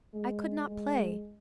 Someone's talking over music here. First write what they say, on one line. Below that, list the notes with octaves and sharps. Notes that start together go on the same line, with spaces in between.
I could not play.
G#3
G#3